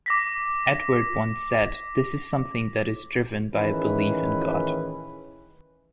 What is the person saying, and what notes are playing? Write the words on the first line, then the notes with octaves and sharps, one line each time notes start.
Edward once said, This is something that is driven by a belief in God.
D6 A#6 B6
A1 D#3 E3 C#4 G#4 B4